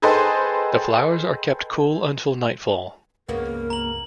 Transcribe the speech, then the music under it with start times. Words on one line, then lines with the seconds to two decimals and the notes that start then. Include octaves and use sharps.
The flowers are kept cool until nightfall.
0.02 G#4 A4 B4 C5 D#5 G5
3.29 C#2 G2 C#3 A#3 B3 A#4
3.70 A#5 F#7